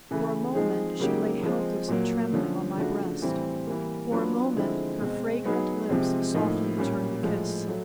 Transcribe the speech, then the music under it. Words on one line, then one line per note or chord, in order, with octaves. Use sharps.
For a moment she lay helpless and trembling on my breast; for a moment her fragrant lips softly returned the kiss.
C#3 E3 A3
F3 G#3 C4 D#4 G#4
C#3 F#3 A#3 D#4 G4
F3 G#3 C4
A#2 F#3 A#3
D3 F3 A3 C#4
C#3 F3 A3 D4 F#4
A2 E3 G3 C4
E3 G3 A#3
F#3 B3 D4 F4
D3 F3 G#3 C4 E4
B2 G#3 C4
F#3 B3 D#4 G#4
C3 F3 G#3 C4
A2 F3 A#3 D#4
A#2 G3 A#3 C#4
A2 F3 G#3
F#3 A3